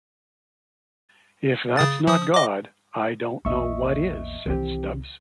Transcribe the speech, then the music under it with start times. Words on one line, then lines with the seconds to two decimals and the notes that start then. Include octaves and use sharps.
If that's not God, I don't know what is, said Stubbs.
1.77 C#3 D#6 A6
2.07 F3 D#6
2.34 D#5 D6
3.45 A#1 E2 D#5 E5 C#6
4.46 C2 D#3 E3 C4 G4